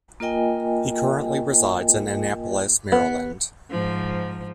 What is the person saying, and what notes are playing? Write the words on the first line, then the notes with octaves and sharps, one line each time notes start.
He currently resides in Annapolis, Maryland.
A#3 F4 A#4 D#5 G5 G#5
B3
G#2 F3